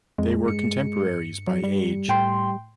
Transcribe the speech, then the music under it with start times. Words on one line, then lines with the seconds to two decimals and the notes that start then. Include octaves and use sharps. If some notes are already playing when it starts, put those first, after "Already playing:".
They were contemporaries by age.
0.18 F2 G#3
0.46 G2 C#7
1.47 F#3
1.64 G3
2.08 A2 G5 C6